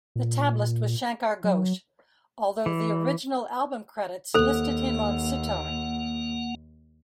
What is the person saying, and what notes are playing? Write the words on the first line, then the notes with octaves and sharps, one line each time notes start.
The tablist was Shankar Ghosh, although the original album credits listed him on sitar.
A#2
F#3
E3
D#2 A#3 A4 C5 F#5